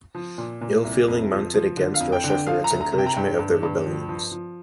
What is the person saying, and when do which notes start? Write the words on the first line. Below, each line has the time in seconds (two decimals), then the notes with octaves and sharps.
Ill feeling mounted against Russia for its encouragement of the rebellions.
0.15 F3
0.38 A#2
0.61 A#2
0.85 C2
1.08 F2
1.31 F3
1.54 F3
1.77 D3
1.94 F5
2.00 F2
2.12 G5
2.24 D3
2.29 G5
2.47 F3 F5
2.64 A#5
2.70 D2
2.81 A#5
2.92 C3
2.98 G5
3.06 A#5
3.13 G2 G5
3.39 G2
3.63 G2
3.85 F3
4.09 F3
4.32 F3